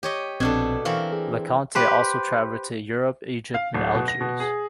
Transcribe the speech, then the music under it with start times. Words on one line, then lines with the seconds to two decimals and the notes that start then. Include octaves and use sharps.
LeConte also traveled to Europe, Egypt and Algiers.
0.03 G4 C#5 D#5
0.40 A#1 B2 C4 D4 A4 G#6
0.85 E3 C4 A#4 F5 C#6
1.12 G#4
1.75 G4 B4 C5
3.54 F5
3.74 D1
3.95 B2
4.08 A#6
4.21 B2
4.40 G#4